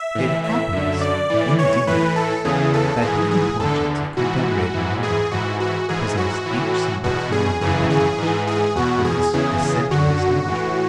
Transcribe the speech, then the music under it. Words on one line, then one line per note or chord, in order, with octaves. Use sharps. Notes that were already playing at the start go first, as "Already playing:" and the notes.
It happens, indeed, that different portions of confederated America possess each some peculiar advantage for this essential establishment.
Already playing: E5
A2 E3
E5
F#2 D3
D5
A2 E3
C#5
A2 E3 B4
A4
E2 C#3 E3 G#4
A4
G#2 E3 G#4
G#4
E2 D3 A4
G#2 E3 F#4
G#2 E3
G#4
G#2 E3 F#4
F#4
G#2 E3 G#4
F#4
A2 E3
E2 B2 F#4
G#4
F#2 C#3 E3 G#4
G#4
G#2 E3
G#4
E2 B2 F#4
G#4
E2 C#3 E3 G#4
F#2 D3 F#4
A2 E3